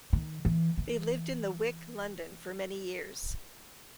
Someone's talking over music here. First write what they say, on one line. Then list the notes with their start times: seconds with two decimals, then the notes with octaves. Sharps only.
They lived in The Wick, London, for many years.
0.13 D#3
0.45 E3
0.77 E3